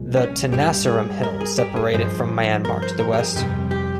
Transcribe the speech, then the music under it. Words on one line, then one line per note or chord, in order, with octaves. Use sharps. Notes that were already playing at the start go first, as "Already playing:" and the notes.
The Tenasserim Hills separate it from Myanmar to the west.
Already playing: C2 A#2 F3 G#3
C#4
G2 G3 G4
G#4
A#4
G#4
G4
G#4
G2 F3 G#3 C5
A#4
C5
A#4
G4
G#4
F2 C3 G3 G4
G4